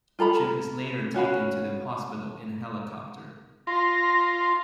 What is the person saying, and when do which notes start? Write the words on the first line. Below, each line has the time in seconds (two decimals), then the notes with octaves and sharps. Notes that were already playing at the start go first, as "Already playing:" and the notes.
Chip is later taken to the hospital in a helicopter.
0.19 F4 A4 A#5 B5
1.14 C#4 F#4 F5 B5
3.67 F4 C6 A#6